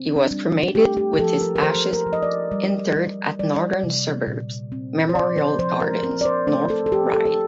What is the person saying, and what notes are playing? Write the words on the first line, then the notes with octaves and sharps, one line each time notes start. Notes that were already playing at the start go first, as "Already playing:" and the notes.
He was cremated with his ashes interred at Northern Suburbs Memorial Gardens, North Ryde.
Already playing: C4
D4
G3
A3 G4
G4
G4
F3 A4
A#4
A#4
F3 C5
A#4
F3
D#5
D5
G3
G3
G3 D5
C3
A#2
C4
C5
F3 D5
C5
F3 C5
A#4
C4 A#4
D5
C5
A3 C5
A4
A4
F3 G4
A4
A4